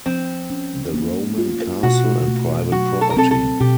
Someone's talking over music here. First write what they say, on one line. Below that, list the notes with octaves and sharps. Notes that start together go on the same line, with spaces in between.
The Roman castle and private property.
F3 C4
C#4
A#3
F4
B2 F#4
A3
F#3 F#4
A4
A#4
C4 A4
A4
B2 G4